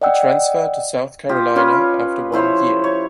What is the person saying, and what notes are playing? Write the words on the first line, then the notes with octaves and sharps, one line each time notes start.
He transferred to South Carolina after one year.
D5 D#5 F#5 G5 E6
F4 G4 D#5
C#4 F4 G4 B4
F3 E4 C5 C#5
C#5